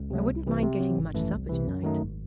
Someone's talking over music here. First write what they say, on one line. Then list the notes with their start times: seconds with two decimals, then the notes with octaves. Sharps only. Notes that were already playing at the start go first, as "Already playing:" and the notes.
I wouldn't mind getting much supper tonight.
Already playing: C#2
0.10 C3 F#3 A3
0.29 C2
0.46 C3 E3
0.62 C3
0.80 F#3 C4
0.97 G#1
1.15 F#2 E3 A3 C#4
1.32 C2
1.49 C3 E3
1.67 F#2
1.83 D#3 F#3 A3 D#4
2.00 G#1